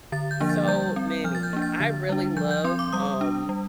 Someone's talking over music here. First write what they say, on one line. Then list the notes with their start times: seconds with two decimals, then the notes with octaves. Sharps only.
So many. I really love, um,
0.12 D3 A6
0.31 G6
0.40 F3 A#3 D4
0.49 A6
0.68 G3 G6
0.96 C4
1.24 F3 F6
1.35 A6
1.43 G6
1.53 A#3 D4
1.62 A6
1.80 D3 A6
2.09 G3 D4
2.37 F3 G6
2.51 G6
2.64 C4 C6
2.79 D6
2.93 G3 D#6
3.21 D4
3.49 G3